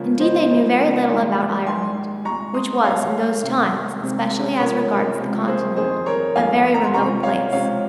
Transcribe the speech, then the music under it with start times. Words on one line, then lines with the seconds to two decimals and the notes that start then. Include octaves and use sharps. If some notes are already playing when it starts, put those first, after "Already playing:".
Indeed they knew very little about Ireland, which was, in those times, especially as regards the Continent, a very remote place.
Already playing: C#2 C#3 F3 A#3
0.20 C5 D#5
0.49 C#2 C#3 F3 A#3
1.08 A#1 G#2 D#3 G3
1.66 A#1 G#2 D#3 G3 G#5 C6
2.25 C2 A#2 G#3 A#5 C#6
2.54 C6 D#6
2.84 C2 A#2 G#3 C#5 F5
3.43 C2 C3 D#3 G#3 C4
4.01 C2 C3 D#3 G#3 C4
4.59 C#2 C3 F3 A#3 A#4 C#5
5.19 C#2 C3 F3 A#3
5.48 G#4 C5
5.76 G1 F2 D#3 G3 G#4 C5
6.06 A#4 C#5
6.36 G1 F2 D#3 G3 F5 G#5
6.74 A#5
6.84 C6
6.94 C#2 C3 F3 C4 A#5 C#6
7.23 C#5 F5
7.53 C#2 C3 F3 C4 C#5 F5